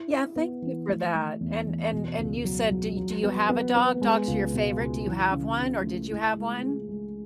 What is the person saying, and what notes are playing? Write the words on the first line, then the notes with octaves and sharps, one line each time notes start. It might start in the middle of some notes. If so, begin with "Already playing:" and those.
Yeah, thank you for that, and and and you said, do do you have a dog? Dogs are your favorite. Do you have one, or did you have one?
Already playing: E4
E4
B3
E3
A3
A3
E2
E2
B2
C#2
F#3
F#3
F#3
B3
B3
B3
G#3
C#2
B2
C#2
E3
C#3
C#3
A3
E4
G#3
G#4
G#3